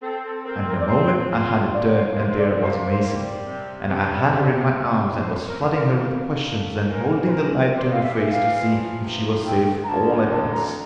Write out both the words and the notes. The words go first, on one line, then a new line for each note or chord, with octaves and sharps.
And in a moment I had it turned, and there was Maisie, and I had her in my arms and was flooding her with questions and holding the light to her face to see if she was safe, all at once.
C4 A4
A4
C4 A#4
A#4
D5
C4 C5
F4
A#3 D5
C5
C3 C5
C5
D5
A#3 C5
C5
G3
C3
C3
C3
C3
A2 C5
A#4
A#3
A#4
A#3
A2
E3 A#4
C5
F2 A#4
G3 C5
F5
E5
E3
F5
F3
C3
D2 G5
A#5
D2 A5
E3 A5
A#5